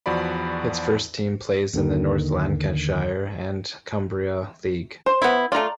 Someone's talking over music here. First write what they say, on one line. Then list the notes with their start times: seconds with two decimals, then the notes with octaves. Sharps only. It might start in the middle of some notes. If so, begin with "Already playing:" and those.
Its first team plays in the North Lancashire and Cumbria league.
0.06 E2 F3 F#4 D5 B5
1.74 D#2 D3 D#3
5.06 C5
5.22 B3 E4
5.52 A3 F4 D5 A#5